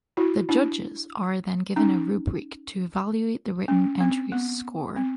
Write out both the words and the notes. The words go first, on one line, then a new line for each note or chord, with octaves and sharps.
The judges are then given a rubric to evaluate the written entry's score.
E4 F#4
D4 E4
C#4 D#4
C#4
C4
B3
C4